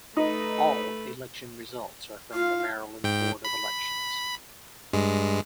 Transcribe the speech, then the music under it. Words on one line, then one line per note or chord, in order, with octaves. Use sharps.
All election results are from the Maryland Board of Elections.
A3 D#4 B4
F4 F5
G#2 G5
B5
G2 G#3